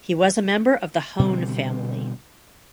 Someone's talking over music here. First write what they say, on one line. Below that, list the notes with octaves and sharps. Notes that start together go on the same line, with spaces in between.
He was a member of the Hone family.
B2 D3 G3 C4